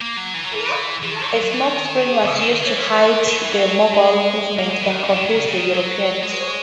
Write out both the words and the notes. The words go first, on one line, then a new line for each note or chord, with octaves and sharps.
A smokescreen was used to hide the Mongol movements and confuse the Europeans.
A#3
F#3
E3
F#3
E3
E3
D#3
E3
F#3
F#3
E3
D#3
D#3
C#3
D#3
D#3
E3
G#3
F#3
E3
F#3
G#3
A#3
G#3
E3
D#3
C#3
D#3
F#3
C#3
C#3
D#3
F#3
G#3